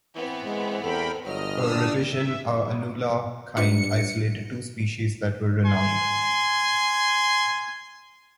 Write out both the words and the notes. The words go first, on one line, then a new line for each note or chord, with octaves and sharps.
A revision a Inula kind isolated two species that were renowned.
E3 B3 C4
G#3
E2 A4 A#4 G5 B5
G1 F#3 D#5 F6
G3 D4 D#6 E6
E5
G2 D4 F4 B4 C#7
G#5 C6